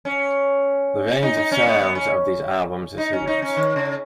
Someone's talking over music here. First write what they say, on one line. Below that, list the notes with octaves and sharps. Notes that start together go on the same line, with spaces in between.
The range of sounds of these albums is huge.
C#4
D#4
D#4
C#4
B3
B3
C#4
D#4
C#4
D#4
C#4
D#3
C#3